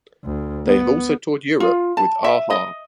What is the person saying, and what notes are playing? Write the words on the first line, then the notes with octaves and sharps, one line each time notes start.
They have also toured Europe with a-ha.
D2
B3
F4
A5
E5
D#5